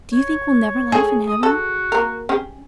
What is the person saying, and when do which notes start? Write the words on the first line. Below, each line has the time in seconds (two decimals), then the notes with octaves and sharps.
"Do you think we'll never laugh in heaven?"
0.13 C#5
0.92 G#4 A4
1.27 D#6
1.43 F#4 A4
1.92 A#3 A#4
2.29 C#4 G4 G#4